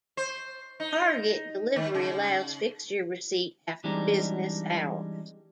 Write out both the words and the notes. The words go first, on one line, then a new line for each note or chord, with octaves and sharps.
Target delivery allows fixture receipt after business hours.
C5
D#4
D#3
C#3
E3 G3 G#3 C4 D4 D#4